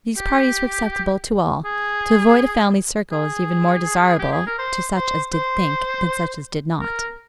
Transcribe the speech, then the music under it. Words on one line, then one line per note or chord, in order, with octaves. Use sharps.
These parties were acceptable to all; to avoid a family circle was even more desirable to such as did think, than such as did not.
G4
G#4
G#4
G4
G#4
A#4
C5
C5
C5
A#4